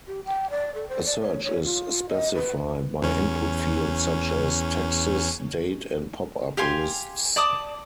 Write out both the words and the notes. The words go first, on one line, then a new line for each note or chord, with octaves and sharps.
A search is specified by input fields such as: texts, date and popup lists.
G4
G5
D5
A4
C5
D5
C#5
C#5
F4
D#5
B4
E2 C#4
G4 F5 G#5 C6
D5 A5 D6 D#6